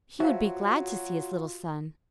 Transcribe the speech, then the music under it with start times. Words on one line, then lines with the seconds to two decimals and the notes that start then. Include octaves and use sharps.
He would be glad to see his little son.
0.20 F#3 F4 F#4 C5 E5 F5 A5